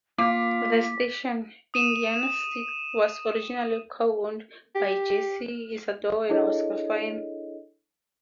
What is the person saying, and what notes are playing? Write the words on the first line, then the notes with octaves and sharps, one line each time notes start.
The station, Indiana's sixth, was originally co-owned by Jesse, Isadore, and Oscar Fine.
A#3 F4 D6 B6
D#6 D#7 E7
G4
D4 E4 G#4 A4 C#5 D#5